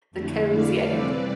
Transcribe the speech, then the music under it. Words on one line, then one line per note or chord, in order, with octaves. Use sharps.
The cozy. I get the
F2 D3 A3 E4
D5 F5
C3 E3 G3 C4 B4 D5